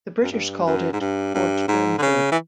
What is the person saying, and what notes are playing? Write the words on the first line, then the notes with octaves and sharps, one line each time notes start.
The British called it "Port Durnford".
F#2
G2
F#2
G#2
G2
G2
G#2
D3
C#3
E3